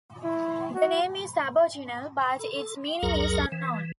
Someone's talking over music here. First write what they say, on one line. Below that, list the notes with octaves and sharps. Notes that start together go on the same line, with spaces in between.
The name is Aboriginal but its meaning is unknown.
E4
F#4
A4
G5
C2 F2 F#3 G#4 A#4 A#5
E3